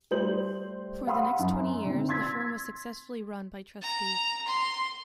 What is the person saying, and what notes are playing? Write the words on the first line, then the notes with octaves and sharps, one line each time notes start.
For the next twenty years the firm was successfully run by trustees.
G3 A3 C5 G6 F#7
F5 F#5 B5 C6 D#6
F#2
D3 C4
C6 E6 G#6 A6 B6
A#5
C6